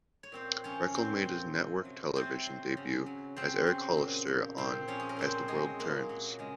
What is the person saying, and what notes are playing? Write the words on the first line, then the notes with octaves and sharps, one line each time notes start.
Reckell made his network-television debut as Eric Hollister on "As the World Turns".
C#5
A#2 C4 C5
F3 C#4 C#5
A#2 C4 C5
F3
C3
F#3
C3 C4 C5
F#3
C#3
F#3
C#3 C4 C5
F#3
A#2
F3
A#2 C4 C5
F3 C#4 C#5
G#4
A#4
A#2 C4 C5
F#3 G#3 G#4
A#2 A#3
F#3
C#3 G#3